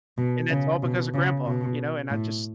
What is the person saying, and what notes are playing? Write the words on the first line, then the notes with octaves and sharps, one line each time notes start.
And that's all because of grandpa, you know, and I just
B2
C#3
B2
C#3
B2
A2